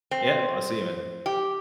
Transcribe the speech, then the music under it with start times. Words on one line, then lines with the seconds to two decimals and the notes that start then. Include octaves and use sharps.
Yeah, I'll see you, man.
0.11 C4
1.26 G4